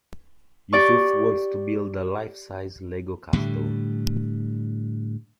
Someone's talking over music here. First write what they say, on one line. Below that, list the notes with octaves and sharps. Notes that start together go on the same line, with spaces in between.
Yusuf wants to build a life-size Lego castle.
G4 D5 C#6
A2 D3 G3